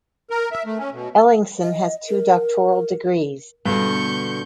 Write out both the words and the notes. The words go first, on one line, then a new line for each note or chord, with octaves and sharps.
Ellingsen has two doctoral degrees.
A#4
E5
A3
C#4
B2
D#5
A#4
G2 B2 D3 G3 C#6 G6